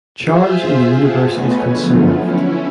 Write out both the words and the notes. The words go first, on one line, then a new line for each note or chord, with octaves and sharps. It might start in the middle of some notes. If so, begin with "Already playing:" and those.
Charge in the universe is conserved.
F4 G#4 C5 E5
F4 G4 G#4 F#5 A5
A3 B3 B4 C#5 D#5 G#5
D3 F3 F#3 A3 B3 F4
C#4 E4